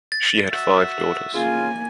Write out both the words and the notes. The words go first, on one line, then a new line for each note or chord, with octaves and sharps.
She had five daughters.
A6
F#4 E5
C#3 A#3 F4 G#5